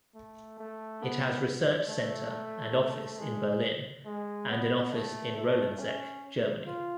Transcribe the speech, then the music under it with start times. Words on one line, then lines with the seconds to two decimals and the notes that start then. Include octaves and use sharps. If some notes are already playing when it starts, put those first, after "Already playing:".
It has research centre and office in Berlin, and an office in Rolandseck, Germany.
0.15 A3
0.59 A3
1.03 B3
1.89 A3
3.19 G#3
4.06 G#3
4.49 B3
4.92 A3
5.36 A3
5.79 C#4
6.66 F4